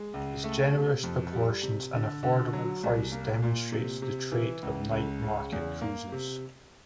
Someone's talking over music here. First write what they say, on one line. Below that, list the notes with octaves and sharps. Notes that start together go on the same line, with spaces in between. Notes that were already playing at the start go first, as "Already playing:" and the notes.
Its generous proportions and affordable price demonstrates the trait of night market cuisines.
Already playing: G#3
C#2
A3
C3
F2
G3
C3
D3
D3
F#3
C2
A#3
A#2
C3
C3
E3
C#2
C#2
C#3
E2
A#3
C3